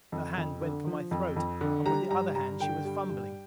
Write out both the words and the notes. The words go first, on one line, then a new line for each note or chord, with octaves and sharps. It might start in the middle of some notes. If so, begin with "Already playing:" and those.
Her hand went for my throat, and with the other hand she was fumbling.
F2
F2
D3
F3
F2
F2
D3
G3 A#5
G2 A#5
G2 A#5
D3 G5
G3
G2